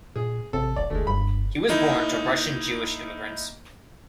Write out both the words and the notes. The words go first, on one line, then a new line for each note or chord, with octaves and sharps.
He was born to Russian Jewish immigrants.
A#2 G#4
A1 C3 A4
D#1 D5
F1 D2 G#3 A3
F#1 G2 B5
A#3 D#4 E4